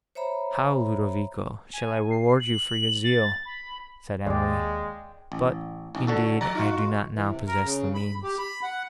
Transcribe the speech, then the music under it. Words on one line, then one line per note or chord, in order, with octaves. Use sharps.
'How, Ludovico, shall I reward you for your zeal?' said Emily: 'but, indeed, I do not now possess the means.
C5 C#5 E5 A#5 B5
G#5
C7
F#7
A6
B5
D#2 G#3 D5 F5 G5
A1
A1 G2
D3 F#4 A4
F3 D5 A#5
D#4 F4 F#4
E3
C3
A#4
C#3
B5
G4
B5
F#5